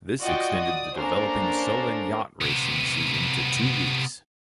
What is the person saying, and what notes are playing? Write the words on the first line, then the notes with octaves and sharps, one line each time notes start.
This extended the developing Solent yacht racing season to two weeks.
F4 F#4 D5 D#5 F#5 G5
D5 D#6
A#3 C#4 D4 A4 A#4 C5
C3 B3